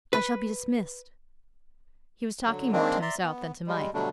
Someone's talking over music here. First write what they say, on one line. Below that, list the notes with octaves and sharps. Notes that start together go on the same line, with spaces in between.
I shall be dismissed.' He was talking more to himself than to Mike.
B4
D3 F#3
D#3 G#3 A#3 C4 D4
D5 E5 A#5 C6
B3
G3 G#3
B2 D3 F#3 G3 A3 D4